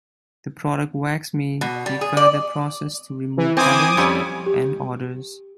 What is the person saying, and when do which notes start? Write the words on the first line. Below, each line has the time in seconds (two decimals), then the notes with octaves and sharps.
The product wax may be further processed to remove colors and odors.
1.61 B2
1.86 G3
2.01 G#4
2.17 D5
3.37 E3
3.57 E3 C4 G#5 D6 D#6
3.97 F2 G3 C#4
4.46 G4